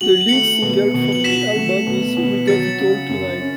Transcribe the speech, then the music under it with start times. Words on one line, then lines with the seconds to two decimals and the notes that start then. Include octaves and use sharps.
The lead single from the album is "We Got It All Tonight".
0.01 F#4 F#7
0.28 A3 C#7 F#7
0.62 B2
0.94 B2
1.12 F#7
1.24 F#4 B6 E7
1.56 A3
1.87 B2
2.17 B2
2.47 F#3 A6 C#7
2.79 C#3
3.09 F#2
3.41 C#4